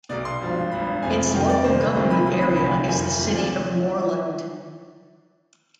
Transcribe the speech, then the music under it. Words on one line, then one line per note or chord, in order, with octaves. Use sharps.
Its local government area is the City of Moreland.
B1 B2 D5
C6
G#1 G2 F3
G#1 G2 F3 B5
F1 F2 C3 F3 G#5
F1 F2 C3 D#3 G5
D5
D2 C3 D#3 C5
B4
D2 C3 D#3 C5
B5
C2 C3 F3 B5
B5
D2 C3 F3 B5
F1 F2 C3 D#3 G#5
D2 C3 F3
D5